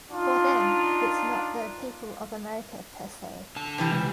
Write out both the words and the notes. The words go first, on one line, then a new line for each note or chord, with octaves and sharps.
For them, it's not the people of America, per se.
D4 D#4 F4
D3 A5
C3 E3 G3
C#3 G#3